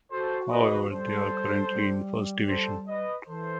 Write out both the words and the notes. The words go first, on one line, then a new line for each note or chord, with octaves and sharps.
However, they are currently in First Division.
F#4 A4 C5
B4 D#5
G3 A4 C5
G3
A4 C5
B4 D#5
E3 A4 C5